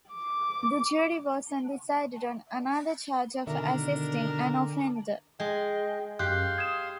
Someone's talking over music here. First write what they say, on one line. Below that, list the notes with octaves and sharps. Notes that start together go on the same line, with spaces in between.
The jury was undecided on another charge of assisting an offender.
D6
B2 D3 D#3 D4 A#4 E5
G#3 D#5 G5
F#2 G4 F5 C6 F#6 G6
D#6 G#6 E7